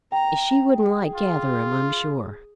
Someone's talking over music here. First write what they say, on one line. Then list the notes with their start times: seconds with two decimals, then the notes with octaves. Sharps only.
"She wouldn't like Gatherum, I'm sure."
0.12 G5 A#5
0.66 G#4
1.15 F4